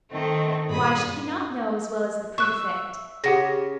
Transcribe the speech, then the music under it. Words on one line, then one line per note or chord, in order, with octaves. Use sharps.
'Why should he not know as well as the prefect?
D#3 A3 C4
G2 A#2 G#4 B5 D#6
E5 C#6 F#6
C#3 G4 F#5 A#6